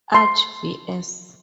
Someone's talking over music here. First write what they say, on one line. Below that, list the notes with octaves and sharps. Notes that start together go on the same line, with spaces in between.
Archie vs.
C6